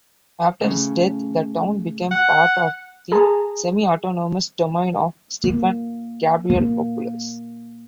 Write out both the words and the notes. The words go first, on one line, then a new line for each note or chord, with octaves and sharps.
After his death, the town became part of the semi-autonomous domain of Stephen Gabrielopoulos.
A2 C#3
F#5
G#4 A5 A#5
A#3
A#3